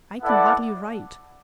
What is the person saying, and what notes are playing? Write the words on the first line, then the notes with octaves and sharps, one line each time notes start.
I can hardly write.
B3 E4 A4 D5 F#5